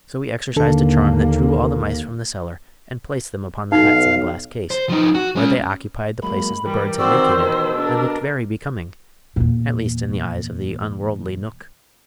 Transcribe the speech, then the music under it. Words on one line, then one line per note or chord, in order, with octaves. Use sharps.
So he exercised a charm that drew all the mice from the cellar and placed them upon the hats in the glass case, where they occupied the places the birds had vacated and looked very becoming--at least, in the eyes of the unworldly knook.
D#2 D3 A#3 A4
B1 D#4 F5
C5
F3 D#4
F#4
G#3 C#4
F#3 G#3 A#3 B5
E3 G3 G4 A#4
D#3 C4 F#4 C5 D5 E6
B2
D4 G#4 A#4
E2 A#2